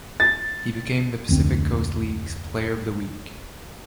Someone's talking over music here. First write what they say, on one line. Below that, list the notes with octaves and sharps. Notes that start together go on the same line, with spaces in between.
He became the Pacific Coast League's Player of the Week.
A6
F1 D2 C4